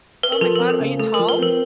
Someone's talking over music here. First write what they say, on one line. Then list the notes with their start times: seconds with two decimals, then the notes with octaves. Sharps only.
Oh my God, are you tall?
0.23 B4
0.32 A#4
0.41 F3 A4
0.56 A#4
0.60 C4
0.70 A4
0.80 C#3
0.99 A3 A4
1.14 A#4
1.19 F3
1.29 B4
1.39 C4 A#4